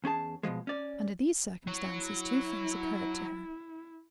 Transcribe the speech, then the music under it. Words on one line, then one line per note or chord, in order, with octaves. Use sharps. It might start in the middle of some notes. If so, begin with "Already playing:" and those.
Under these circumstances two things occurred to her.
E2 C#4 G#4 A5
B2 D3 F3 G#3
C#4 D5
F#3 E4